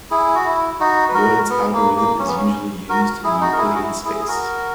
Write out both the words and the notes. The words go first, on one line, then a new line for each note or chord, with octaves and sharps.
Lloyd's algorithm is usually used in a Euclidean space.
E4 G#4
F#4
E4
D#4 F#4
B4
F#4 A#4
B3
A#3
A#3
C#4
B3
C#4
F#4 A#4
E4 G#4
D#4 F#4
A#4
E4 G#4
F#4
E4
E4 G#4
G#4
F#4 A#4